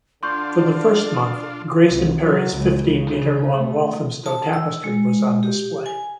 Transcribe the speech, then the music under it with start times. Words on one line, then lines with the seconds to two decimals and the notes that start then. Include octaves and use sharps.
For the first month, Grayson Perry's fifteen-metre long Walthamstow Tapestry was on display.
0.23 D3 D4 F4 D5 C6 C#6 G6
1.90 C2
2.22 F#3
2.55 C#2
3.10 C#3
3.56 A3
4.26 A5
4.53 E6
4.84 G#3
5.43 G4
5.86 G#5